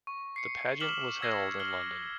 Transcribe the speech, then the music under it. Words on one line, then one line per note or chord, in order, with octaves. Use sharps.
The pageant was held in London.
C#6
C7 C#7
D6 F6 B6 E7 F#7 G7
E6 G#6 A#6 C7 G7
F6 C7 F#7 G7